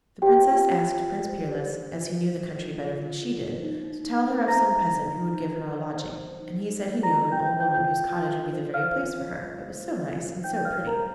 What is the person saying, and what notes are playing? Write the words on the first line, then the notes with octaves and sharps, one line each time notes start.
The Princess asked Prince Peerless, as he knew the country better than she did, to tell her of some peasant who would give her a lodging, and he said he knew of an old woman whose cottage would be the very place for her, it was so nice and so pretty.
G4 C5 G5
F4
F4
F4
C5
C5
C5
C5
F4
C5
C5
F4
F4
F4
F4
C5
D#4
D#4
D#4
C5
C5 A#5 A#6
D#4
D#4
D#4
D#4
D#4
C5
C5
C5
D#4
D#4
C5
F4 A#5 A#6
C5
G5 G6
C5
G5 G6
F4
F4
F4
F4
C5
C5 F5 F6
F4
F4
C5
C5
F4
F4
C5
D#4 G5 G6
C5 F5 F6
A#4 C5 A#5